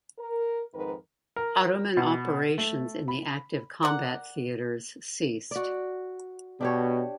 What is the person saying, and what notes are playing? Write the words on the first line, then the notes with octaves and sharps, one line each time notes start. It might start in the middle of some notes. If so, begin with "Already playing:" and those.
Ottoman operations in the active combat theatres ceased.
A#4
F2 G#2 D#3 A#4 B4
A#4
B2
A3
B5
A#4 D5 F#5
F#4 D5
B2 D4 G4 C#5